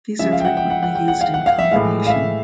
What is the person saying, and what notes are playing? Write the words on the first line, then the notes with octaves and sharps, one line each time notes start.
These are frequently used in combination.
C#3 F3 G#3 E5
F5
G5
F#5
G5
F#5
F#5
G5
F#5
F5
F#5
F5
E5
A2 E3 G#3 F5
F5
E5